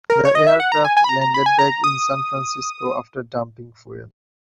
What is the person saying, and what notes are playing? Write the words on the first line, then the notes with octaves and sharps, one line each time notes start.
The aircraft landed back in San Francisco after dumping fuel.
A#4
C#5
D#5
E5
F#5
A#5
G#5
G#5
B5
A#5
A#5
B5
G#5
A#5
D#6